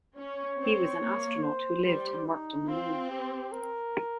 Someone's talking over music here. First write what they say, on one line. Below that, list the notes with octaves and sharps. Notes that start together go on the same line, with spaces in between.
He was an astronaut who lived and worked on the Moon.
C#4 C#5
C4
A#3
C5
G3 C5
D#4
C4 F4
G4
A#4